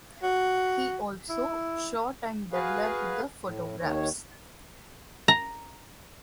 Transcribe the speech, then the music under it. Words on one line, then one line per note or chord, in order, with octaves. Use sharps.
He also shot and developed the photographs.
F#4
E4
F#4 G#4 B4 F5
A2
D#2 D#3 C#5
A#5